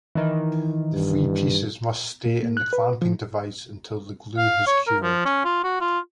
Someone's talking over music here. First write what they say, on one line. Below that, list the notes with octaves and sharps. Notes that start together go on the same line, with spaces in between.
The three pieces must stay in the clamping device until the glue has cured.
D#3 E3
G2
A#2
A#3
F#6
B4
F3
F5
C#5
A#4
F3
C#4
F4
F#4
F4